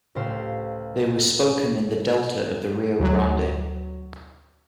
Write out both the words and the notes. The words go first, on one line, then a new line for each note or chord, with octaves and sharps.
They were spoken in the delta of the Rio Grande.
C#2 A2 G4 C5 F5 C7
D2 F#3